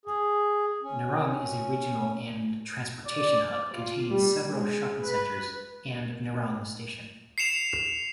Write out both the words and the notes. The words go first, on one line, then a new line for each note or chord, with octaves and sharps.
Nerang is a regional and transportation hub, containing several shopping centres and Nerang Station.
G#4
C#4
D5
F4
G3
G#3
B4
C7 C#7 E7 F7